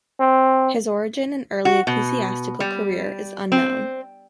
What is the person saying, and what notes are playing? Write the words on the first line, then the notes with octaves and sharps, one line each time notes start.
His origin and early ecclesiastical career is unknown.
C4
F#4
B2
G3
C4